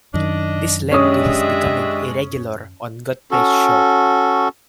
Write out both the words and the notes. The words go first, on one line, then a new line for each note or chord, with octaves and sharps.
This led to his becoming a regular on Godfrey's show.
F#2 D#3 D4 D#5
G#3 C#4 D4 G4 D#5 E5 D#6
C#4 F#4 A4